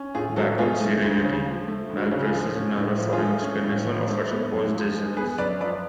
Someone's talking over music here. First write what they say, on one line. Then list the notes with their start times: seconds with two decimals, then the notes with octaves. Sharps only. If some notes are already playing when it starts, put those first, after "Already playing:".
Back on "Serenity", Mal presses Inara for an explanation of her supposed dizziness.
Already playing: C#4
0.15 A2 F4 G#4
0.36 F#3 F#4 A4
0.58 A3 F4 G#4
0.81 A3
1.02 D2
1.23 C#3
1.46 F3
1.68 A3
1.89 D2
1.97 F#4
2.11 C#3
2.25 F4 G#4
2.33 F3
2.55 C#4
2.77 A2
2.99 F3
3.12 F4 G#4
3.20 A3
3.42 C#4
3.64 A2
3.86 F3
4.08 A3
4.30 B3
4.51 F#2
4.73 F3
4.95 G#3
5.17 B3 G#4 B4
5.38 F#2 B4 D5
5.60 F3 B4 D5